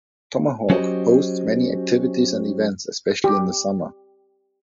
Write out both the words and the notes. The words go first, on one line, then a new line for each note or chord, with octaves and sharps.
Tomahawk hosts many activities and events, especially in the summer.
F#3 C#4 F#4 G4 C5 D#5
G4